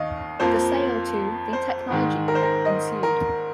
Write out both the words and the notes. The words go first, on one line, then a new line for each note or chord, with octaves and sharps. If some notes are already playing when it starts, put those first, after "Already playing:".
The sale to The Technology Group ensued.
Already playing: D#2 D#3 D#5 F5
F2 F3 A#3 C5
C5
G#2 D#3 G#3
A#4
C5
A#4
D#5
A#4